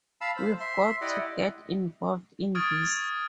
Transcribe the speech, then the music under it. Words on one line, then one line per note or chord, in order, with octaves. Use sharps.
We've got to get involved in this.
F5 A5 B5 E6
C5
E5 C6
E4 G4 D5 D#5 F#5
C#6 D#6 F6 G#6 A6 D7